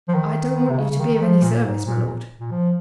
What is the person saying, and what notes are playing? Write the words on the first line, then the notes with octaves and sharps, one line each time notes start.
"I don't want you to be of any service, my Lord."
F3
D#3
C3
C#3
C#3
D#3
D#3
F3
A#2
G#2
A#2
A#2
A#2
F3